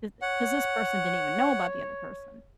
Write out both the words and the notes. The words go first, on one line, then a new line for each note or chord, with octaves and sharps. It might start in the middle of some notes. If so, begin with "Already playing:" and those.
'cause 'cause this person didn't even know about the other person.
C#5 F#5